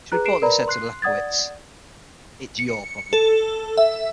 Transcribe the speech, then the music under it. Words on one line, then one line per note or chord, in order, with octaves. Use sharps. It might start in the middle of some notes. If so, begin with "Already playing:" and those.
She reportedly said to Lefkowitz: It's your problem.
G#4 B4 A#5 F#6
G#4 C7 D7 E7
A#4 B4 D5 A#5 B5
C6 F#6 C7
D5 F#5 D#6 G#6 A6
C#7
A4
E5